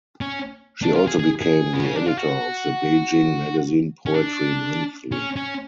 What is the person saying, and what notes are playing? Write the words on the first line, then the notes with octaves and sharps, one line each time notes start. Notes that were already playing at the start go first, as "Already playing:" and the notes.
She also became the editor of the Beijing magazine "Poetry Monthly".
C#4
D4
F4
G#4
G#4
G#4
B3
C#4
D4
F4
F#4
C#4
D4
C#4
C#4